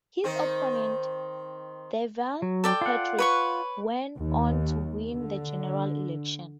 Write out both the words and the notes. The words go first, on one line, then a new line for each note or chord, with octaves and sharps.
His opponent, Deval Patrick, went on to win the general election.
D#3 C4
F#3
A4 D5 G5
F4 F#5
B4 C#5 C#6
D#2
D3